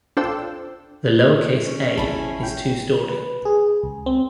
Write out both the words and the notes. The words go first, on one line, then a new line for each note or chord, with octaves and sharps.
The lowercase a is two-storey.
D4 F4 A4 C5 G5 E6
C#4
A1 E4 G#4 A5 B5
G5
B4
G#4
C#2
C4